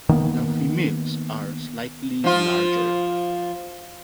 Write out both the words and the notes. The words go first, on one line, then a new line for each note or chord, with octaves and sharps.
The females are slightly larger.
D#3 A#3 B3
F3 F4